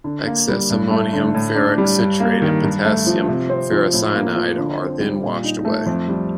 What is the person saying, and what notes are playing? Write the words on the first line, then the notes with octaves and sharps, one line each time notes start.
Excess ammonium ferric citrate and potassium ferricyanide are then washed away.
D3
A#3
G3
G2
A3
D3
A2
D4
G3
G2
A#3
D#3
G2
A3
F3
C3
C4
F3
A2
A#3
F3
D3
C4
G3
A#2
D#4
A3
F2
G3